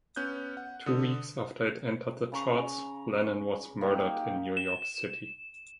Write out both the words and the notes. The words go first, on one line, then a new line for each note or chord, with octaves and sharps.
Two weeks after it entered the charts, Lennon was murdered in New York City.
B3 C#4 F#6 G6
F#5
D3 D#6
C#3 A#5 C#6
A#3 D#4 G4
E7